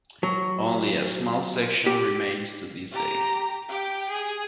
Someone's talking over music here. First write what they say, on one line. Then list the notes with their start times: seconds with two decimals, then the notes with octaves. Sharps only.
Only a small section remains to this day.
0.23 F#3
1.86 G4
2.92 G4 A#5
3.69 G4 G5
4.09 G#4